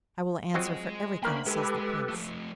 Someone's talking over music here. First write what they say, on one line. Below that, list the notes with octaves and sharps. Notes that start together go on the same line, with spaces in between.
I will answer for everything,' says the Prince.
F3 F#3 C4 G#4 D#5
D2 A#3 A#4 G5 B5
G#3 G4 A4 B4
G#3
F3 A3